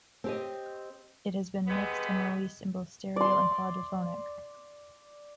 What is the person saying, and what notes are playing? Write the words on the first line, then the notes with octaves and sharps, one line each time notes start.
It has been mixed and released in both stereo and quadraphonic.
C4 G4 D#5
C3 G#3 B3
D5 C6